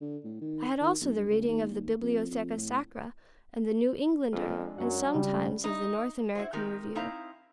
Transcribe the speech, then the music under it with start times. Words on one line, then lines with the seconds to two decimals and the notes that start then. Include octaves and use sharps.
I had also the reading of the "Bibliotheca Sacra" and the "New Englander;" and sometimes of the "North American Review."
0.01 D3
0.24 A2
0.41 D#3
0.81 D#3
1.01 B1
1.15 G2
1.29 C#2
1.48 D#2
1.70 D#2
2.02 F2
2.30 F2
2.57 A2
4.33 F2 G#3 D4 F4
4.78 F#2 F#3 F#5
5.14 C#3 G3
5.64 D#4
6.35 E4 F#4 C5
6.53 D#3 C4 D#4 G4 A#4
6.95 C4 D#4 E4 F5 A#5